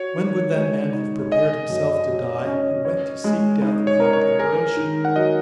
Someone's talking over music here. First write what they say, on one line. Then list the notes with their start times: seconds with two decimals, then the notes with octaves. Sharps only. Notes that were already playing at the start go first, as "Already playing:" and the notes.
When would that man have prepared himself to die, who went to seek death without preparation?
Already playing: F#4 C#5
0.16 D#3
0.54 G#3
0.93 D#4
1.31 G#4 D#5
1.70 F#2
2.09 F#3
2.47 C#4
2.85 C#5
3.24 G#3
3.62 D#4
3.87 C#5
4.00 A#4
4.13 C#5
4.39 G#4 A#4
4.77 D#3
5.05 F#5
5.16 F#3 D#5